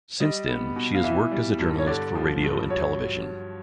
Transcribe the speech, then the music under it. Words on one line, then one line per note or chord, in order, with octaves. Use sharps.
Since then, she has worked as a journalist for radio and television.
G3 D#5
B3
B2
F5
E3 E5
G3
G2
C#5
D3 D5
F3
G2
F#3 C#5